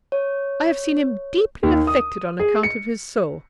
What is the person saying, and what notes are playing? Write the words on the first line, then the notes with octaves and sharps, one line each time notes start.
I have seen him deeply affected on account of his soul.
C#5
D#2
D#6
G#4
C#7